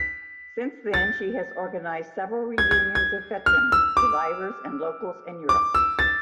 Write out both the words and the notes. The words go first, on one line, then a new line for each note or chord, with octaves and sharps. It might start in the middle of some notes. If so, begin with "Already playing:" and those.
Since then, she has organized several reunions of veterans, survivors and locals in Europe.
Already playing: B6
A6
G#6
G#6
G#6
F6
E6
D6
D6
E6
A6